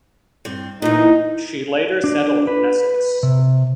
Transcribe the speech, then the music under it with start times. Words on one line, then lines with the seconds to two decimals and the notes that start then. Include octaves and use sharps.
She later settled in Essex.
0.45 G2 C4
0.82 A#2 E3 D#4
2.04 D4
2.47 B4
3.23 C3